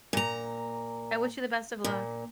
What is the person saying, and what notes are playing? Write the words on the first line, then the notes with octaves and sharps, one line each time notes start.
I wish you the best of luck.
A#2 A#5
A#2